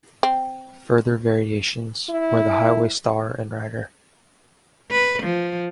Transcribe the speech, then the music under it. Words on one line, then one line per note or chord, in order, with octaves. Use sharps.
Further variations, where the Highway Star, and Rider.
C4
E4
B4
F3